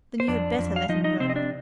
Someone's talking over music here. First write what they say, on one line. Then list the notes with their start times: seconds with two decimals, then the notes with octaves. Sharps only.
"Then you had better let him go."
0.20 C5
0.28 F2 D4 D5
0.58 F2
0.76 F5
0.89 F3 D#4 D#5
1.04 D#4 D#5
1.20 C3 C4 C5
1.30 D#5
1.36 D4 D5